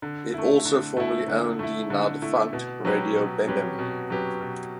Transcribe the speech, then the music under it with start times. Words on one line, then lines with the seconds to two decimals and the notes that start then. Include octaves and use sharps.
It also formerly owned the now defunct Radio BemBem.
0.02 D3
0.34 A3 E4
0.65 D3
0.97 A3 E4
1.28 D3
1.59 A3 E4
1.90 D3
2.22 A3 E4
2.53 B2
2.85 F#3 C#4 G4 B4
3.16 B2
3.47 F#3 C#4 G4 B4
3.79 B2
4.10 F#3 C#4 G4 B4
4.41 B2